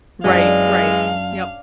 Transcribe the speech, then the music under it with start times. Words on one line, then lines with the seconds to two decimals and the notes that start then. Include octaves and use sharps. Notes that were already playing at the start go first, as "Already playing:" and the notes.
Right, right. Yep.
0.24 F#2 E3 G#3 D4 C#5 D5 F5